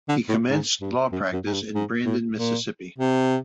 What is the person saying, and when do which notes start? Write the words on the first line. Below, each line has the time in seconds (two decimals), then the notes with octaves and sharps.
He commenced law practice in Brandon, Mississippi.
0.09 D3
0.29 A2
0.50 G#2
0.81 G2
1.12 F#2
1.33 F#2
1.47 G#2
1.53 G2
1.75 G#2
2.05 A2
2.37 A#2
2.99 C3